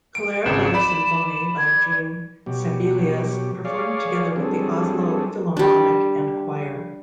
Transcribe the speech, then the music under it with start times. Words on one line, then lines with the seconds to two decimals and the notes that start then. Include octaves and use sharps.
"Kullervo-symfoni" by Jean Sibelius performed together with the Oslo Philomonic and choir.
0.15 D7
0.45 G#1 C#2 G#4 E7
0.74 D5 B5
1.58 G#6
2.46 B2 F#3 G4
3.65 G#4 C#5 D5 F5
4.36 F#3 G3 C4 D4 G#4 A4
5.57 G3 D4